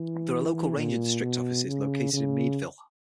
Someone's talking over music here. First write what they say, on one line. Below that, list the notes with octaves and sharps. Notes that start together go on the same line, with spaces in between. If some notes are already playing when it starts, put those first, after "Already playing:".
There are local ranger district offices located in Meadville.
Already playing: E3
A#2
B2
C#3
C#3